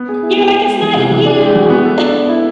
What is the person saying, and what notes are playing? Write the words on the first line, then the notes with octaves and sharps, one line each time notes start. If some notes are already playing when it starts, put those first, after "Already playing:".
you're like, "It's not you."
Already playing: B3
G#4
E4
B3
B3
G#3
E3
C3
E3
D4
G#3
E3
B3
A4
D4
B3
E4